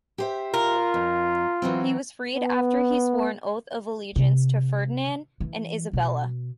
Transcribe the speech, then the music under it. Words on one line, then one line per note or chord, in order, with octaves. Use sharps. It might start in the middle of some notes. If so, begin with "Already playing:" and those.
He was freed after he swore an oath of allegiance to Ferdinand and Isabella.
G4 C5 E5
F4 A#4
F2
E3 F#3 C4
B3
C3
E3
B2